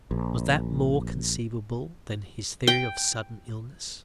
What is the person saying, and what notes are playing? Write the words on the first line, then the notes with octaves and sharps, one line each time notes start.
Was that more conceivable than his theory of sudden illness?
A#1
G5